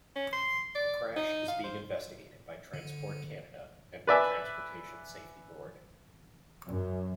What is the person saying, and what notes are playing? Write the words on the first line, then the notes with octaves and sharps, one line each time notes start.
The crash is being investigated by Transport Canada and the Transportation Safety Board.
C#4
C6
D5
D#4
F5
C5
D3
B4 D5 E5 G#5
F#2